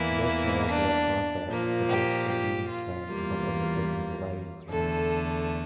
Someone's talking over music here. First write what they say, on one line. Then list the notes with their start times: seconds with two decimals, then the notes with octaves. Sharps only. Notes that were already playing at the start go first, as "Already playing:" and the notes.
This molecular process prevents the leading strand from overtaking the lagging strand.
Already playing: E2 E3 A#3 E4
0.68 D4
1.48 A#2 F3 A#3
1.88 G4
2.28 G4
2.69 F4
3.09 E2 E3 G3 A#3
4.69 E2 D3 A3 A4